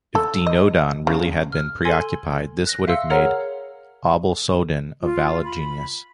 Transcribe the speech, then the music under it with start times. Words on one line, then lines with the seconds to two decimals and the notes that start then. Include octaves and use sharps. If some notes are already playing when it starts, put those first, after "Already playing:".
If "Deinodon" really had been preoccupied, this would have made "Aublysodon" a valid genus.
0.15 A4
0.47 D#5
1.07 C#3
1.52 F6
1.85 A4 G#5 C6 G#6
2.67 F#6 A#6
2.87 E5 F5 C6 E6 C#7
3.10 G#4 A#4 C#5 F#5 A#5 F6
5.01 F4
5.44 B5